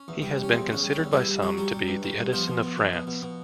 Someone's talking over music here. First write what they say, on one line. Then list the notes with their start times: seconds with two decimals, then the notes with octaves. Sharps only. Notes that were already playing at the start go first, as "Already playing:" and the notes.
He has been considered by some to be "the Edison of France".
Already playing: C#4
0.08 E2
0.22 G3
0.38 G3
0.43 C#4
0.52 E2 C4
0.68 C#3
0.73 C#4
0.82 G3
0.93 E2 C#4
1.12 E3 G3 E4
1.27 G3
1.42 G2 F#3 F#4
1.57 F#3 G3 F#4
1.72 G3
1.88 G2
2.03 G3
2.18 G2
2.32 B2 F3 F4
2.47 B2
2.63 B2
2.78 B2
2.93 B2
3.07 B2
3.23 B2